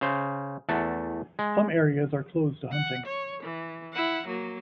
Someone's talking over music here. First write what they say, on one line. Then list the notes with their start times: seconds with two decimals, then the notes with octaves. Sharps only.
Some areas are closed to hunting.
0.01 C#3 C5
0.69 E2 A3 F#5 A5
1.39 G#3
2.72 F#5
3.06 C#5
3.43 E3
3.93 E4 F#5
4.27 F#3 A#3